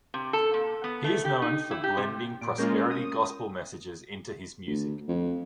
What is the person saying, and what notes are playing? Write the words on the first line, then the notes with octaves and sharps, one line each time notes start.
He is known for blending prosperity gospel messages into his music.
C3
A4
A#2
B3
A3
G4
D#4
E4
G4
C3
A#2 D7
G#3 A#3 C#4 F4 A#4 G6
D#6
D2
F2